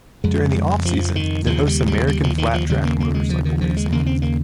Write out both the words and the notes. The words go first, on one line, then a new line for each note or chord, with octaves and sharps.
During the off-season it hosts American Flat Track motorcycle racing.
F2 C#3 G#3
F3
D#3
D#2 C#3 F3
G3
G3
G3
F3
D#3
F3
D#2 C#3 G3
A#3
A#3
G#3
F3
D#3
F3
G#3
D#2 C#3 A#3
C4
A#3